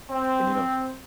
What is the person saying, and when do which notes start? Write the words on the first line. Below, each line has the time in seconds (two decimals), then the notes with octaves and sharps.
and, you know
0.10 C4